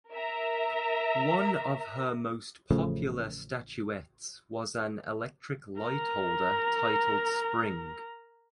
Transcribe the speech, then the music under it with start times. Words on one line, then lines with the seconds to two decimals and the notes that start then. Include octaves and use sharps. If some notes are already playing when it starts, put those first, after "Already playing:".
One of her most popular statuettes was an electric light holder titled "Spring".
0.11 A#4 E5 A#5
2.71 A1 C#3 F3 A3
5.81 A#4 A#5